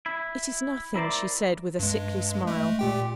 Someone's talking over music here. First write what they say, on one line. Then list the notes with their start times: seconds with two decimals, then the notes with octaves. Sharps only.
'It is nothing,' she said, with a sickly smile.
0.06 E4
0.95 E4 A#4 C5 D5
1.79 G2 G#3
2.47 G#3 A3
2.79 A#2 G4 G5